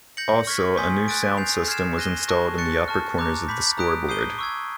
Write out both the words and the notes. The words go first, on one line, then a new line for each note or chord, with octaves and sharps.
Also, a new sound system was installed in the upper corners of the scoreboard.
G6 A#6 C#7 F#7
C#6 F6 G#6 B6
G#5 C6 D#6 G6 B6
F#6 A6 D7
G6 C7 F7
F6 G#6 C7 E7
F#6 A#6 D#7 G7
A5 C#6 F#6 A#6
C#6 F#6 A6 C#7
A5 C#6 F6
A#5 D6 F#6
B5 D6 G6 B6
A#5 D#6 F#6 B6 D7
D#6 G6 C7 D#7 G7
C#6 E6 G#6